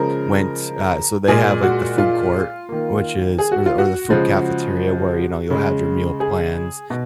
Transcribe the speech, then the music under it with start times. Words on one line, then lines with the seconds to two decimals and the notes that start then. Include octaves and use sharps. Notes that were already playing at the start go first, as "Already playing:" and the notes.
went, uh, so they have like the food court, which is or the or the food cafeteria where, you know, you'll have your meal plans
Already playing: C#3 F3 G#3 A#4
1.28 A#2 G#3 G#4
1.63 F#4
1.98 F4
2.69 D#3 A#3
3.38 G#4
3.52 F#4
3.66 F4
3.78 F#4
4.10 C#3 F3 G#3
5.50 C#3 G#3
6.20 G#4
6.90 B2